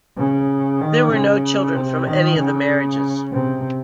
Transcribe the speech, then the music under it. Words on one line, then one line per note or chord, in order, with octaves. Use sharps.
There were no children from any of the marriages.
C#3
D#3
C#3
C3
D#3
C#3
C3